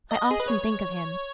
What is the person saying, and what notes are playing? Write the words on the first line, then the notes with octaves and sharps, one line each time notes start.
I often think of him.
D#5
G#4
B4
C#5